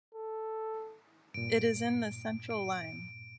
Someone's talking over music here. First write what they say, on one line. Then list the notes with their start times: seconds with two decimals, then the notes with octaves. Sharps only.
It is in the central line.
0.15 A4
1.34 G2 A#2 D7
2.50 D7